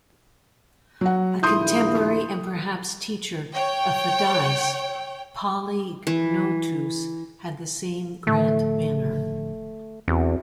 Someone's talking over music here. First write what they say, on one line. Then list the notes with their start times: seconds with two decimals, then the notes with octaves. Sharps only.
A contemporary and perhaps teacher of Pheidias, Polygnotus had the same grand manner.
1.01 F#3 F#5
1.43 A#1 D#2 E4 C6 D#6 G6
3.53 C#5 G5
6.07 E3
8.27 A2 D3 F3 A3
10.08 E2 C4 F#4